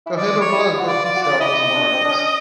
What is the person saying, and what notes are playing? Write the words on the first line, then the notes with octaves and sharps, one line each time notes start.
Carrero Blanco himself was a monarchist.
E4
D#4 D5
C#5
E4
F#4
F4 D5
F4 D5
F#4
F4 D5
E4 D#5
E4
D#4
D4
C4
D4
C#4